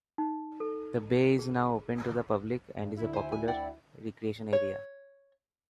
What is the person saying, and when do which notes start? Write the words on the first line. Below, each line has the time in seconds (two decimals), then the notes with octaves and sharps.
The bay is now open to the public and is a popular recreation area.
0.18 D#4
0.60 A4
1.39 G#4
2.82 G2
2.96 D2 E4
3.13 C5 G#5
3.32 G#5
3.48 D5 F#5 G5
4.53 C#5